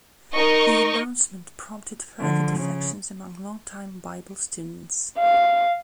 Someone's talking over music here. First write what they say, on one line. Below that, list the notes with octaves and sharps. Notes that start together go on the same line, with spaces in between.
The announcement prompted further defections among long-time Bible Students.
D#4 A#4 D#5 C#6
D3 F3
C#3
F5